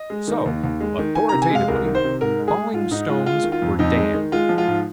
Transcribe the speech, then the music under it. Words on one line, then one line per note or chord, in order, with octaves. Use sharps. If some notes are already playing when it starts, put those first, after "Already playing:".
So, authoritatively, falling stones were damned.
Already playing: D#5
G#3
D#3
D#2
D#2
G#3
D#3
D#3 G#5
C3 A#5
G#5
G#3 F5
C2 A#4
D#3
C5
C3
G#2 A#4
G#3
G#4
G#3
G#2 F4
G#2 D#4
G#3 F4
G#3 F4
D#3
F4
F2
F2 D#4
G#3
D#3
G#3 F4
F3
F4
G#2